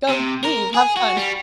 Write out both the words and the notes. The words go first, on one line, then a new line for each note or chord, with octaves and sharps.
go, leave, have fun."
C3
A#4
G#4
F#4
G3